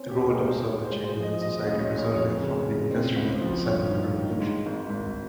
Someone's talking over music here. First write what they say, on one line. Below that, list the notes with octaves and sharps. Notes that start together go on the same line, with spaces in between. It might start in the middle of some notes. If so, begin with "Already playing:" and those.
Rolt observed the changes in society resulting from the industrial-scientific revolution.
Already playing: C4 C#4
G4
D#2 G#4
A#4
G#3
C5
G#2 C#5
C5
G#3
C5
F3
D#5
G#3 D#5
D#5
C#2
C#5
G#3
C#5
F1 C#5
C#3
C#3
C4
C#2
F3
G1 C#5
D#3
D#3
G#2
G#1
G#1